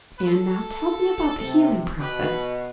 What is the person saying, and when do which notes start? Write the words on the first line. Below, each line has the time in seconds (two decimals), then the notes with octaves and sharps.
"And now tell me about the healing process."
0.19 B4
0.27 A4
1.42 C3
1.99 B2 G4 B4